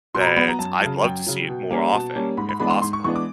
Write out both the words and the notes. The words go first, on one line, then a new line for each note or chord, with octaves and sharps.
that I'd love to see it more often, if possible.
B2 C6
A#5
B5
F#3 B3 B5
A#5
F#2 A5
C#3 F#3
F#2 G5
C#3 F#3
B2
G3 A#3 C#4
B2 A5
G3 A#3 C#4
G#2 B5
B5
E3 G#3 B3 D4 B5
C6
G#2 C6
C#6
E3 G#3 B3 D4 C#6
D6